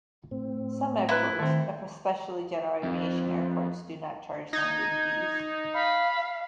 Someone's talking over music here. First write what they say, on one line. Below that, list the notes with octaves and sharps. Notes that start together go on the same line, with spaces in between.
Some airports, especially general aviation airports, do not charge landing fees.
A2 C4
E4 B4 A#5
D#3 A3 C4
F2
D#4 G#6
F5 B5